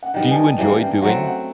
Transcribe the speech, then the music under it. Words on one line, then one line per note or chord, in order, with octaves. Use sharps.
Do you enjoy doing
F#5
D#3 G3 B3 G5
G#5
A5
E3 G3 A#3 G#5
G5
F#3 A3 C4 F#5
F#5